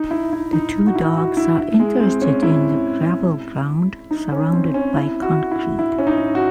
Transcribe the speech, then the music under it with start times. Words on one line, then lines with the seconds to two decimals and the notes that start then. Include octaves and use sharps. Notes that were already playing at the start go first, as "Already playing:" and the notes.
The two dogs are interested in the gravel ground surrounded by concrete.
Already playing: D#4
0.11 E4
0.33 E4
0.53 D#4
0.87 F#4
0.95 E4
1.17 F#4
1.37 E4
1.59 E4
1.79 G#3
2.00 C4
2.22 C#4
2.43 E4
4.11 D#4
4.32 C#4
4.53 C4
4.74 C#4
4.95 E4
5.22 F#4
5.51 E4
5.79 E4
5.98 C#4
6.07 D#4
6.35 F#4